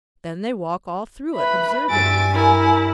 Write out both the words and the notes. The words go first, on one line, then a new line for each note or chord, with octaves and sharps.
"Then they walk all through it, observing."
B4 E5 B5
G2 E5 G#5 A6 D7
E4 A#4